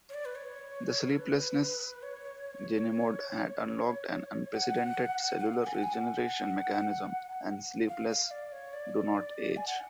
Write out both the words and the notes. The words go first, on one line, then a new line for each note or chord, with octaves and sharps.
The sleeplessness genemod had unlocked an unprecedented cellular-regeneration mechanism, and Sleepless do not age.
C#5
D5
B4
C#5
A4
B4
C#5
F#5
F#5
F5
F#5
G#5
F#5
G#5
F#5
F5
F5
D5
C#5
D5
G#5
F#5